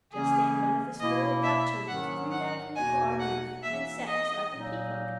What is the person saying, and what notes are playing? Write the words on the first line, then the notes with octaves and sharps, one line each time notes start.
Just then one of the spoiled Dove children flew down from the barn roof and sat beside the Peacock.
C#3 E3 A#3 C#4 G#4
B2 A#3 E4 D#5
E5
G#2 D#3 F#3 C#4 F#5
F#5
E2 B2 A#3 D#4 F#4 G#5
F#5
E3 A#3 D#4 G#4 E5
D#5
A#2 F#3 A#3 D#4